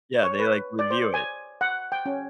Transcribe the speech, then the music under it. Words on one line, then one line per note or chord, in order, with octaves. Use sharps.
Yeah, they, like, review it.
C#5
B4
D5
C5
G#5
F#5
G5
C#4